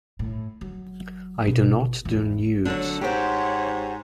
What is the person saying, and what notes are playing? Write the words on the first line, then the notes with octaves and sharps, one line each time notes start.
I do not do nudes.
A2
F#3
B2
E2
D3 F#3 D4
G#2 G4 C5 C#5 F#5